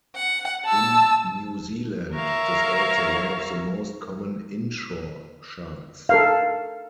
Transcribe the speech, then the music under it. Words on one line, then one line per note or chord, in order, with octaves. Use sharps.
In New Zealand, it is also one of the most common inshore sharks.
F#5
A5 E6
A#4 C#5 E5 F5
A4 A#4 F5